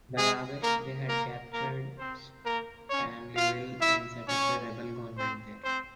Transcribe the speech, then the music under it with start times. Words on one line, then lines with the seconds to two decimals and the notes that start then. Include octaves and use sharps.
By August they had captured Stanleyville and set up a rebel government there.
0.16 G#3 G#4
0.61 A#3 A#4
1.07 A#3 A#4
1.53 A#3 A#4
1.98 C4 C5
2.44 A#3 A#4
2.89 C#4 C#5
3.34 F4 F5
3.80 E4 E5
4.26 C#4 C#5
5.17 C4 C5
5.62 C4 C5